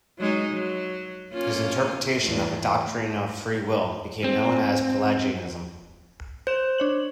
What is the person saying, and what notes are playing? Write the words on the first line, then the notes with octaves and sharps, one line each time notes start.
His interpretation of a doctrine of free will became known as Pelagianism.
F#3 G#3 D#4
F#3
A#3 C#4 F4
E2 A3
C4
C5 G6 E7
D4 C#5 F#7